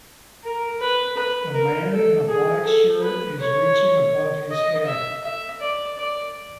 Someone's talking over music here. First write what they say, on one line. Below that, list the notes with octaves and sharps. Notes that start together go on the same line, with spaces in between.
A man in a black shirt is reaching above his head.
A#4
B4
B4
A#4
A4
G#4
A4
B4
C#5
D#5
E5
E5
D5
D5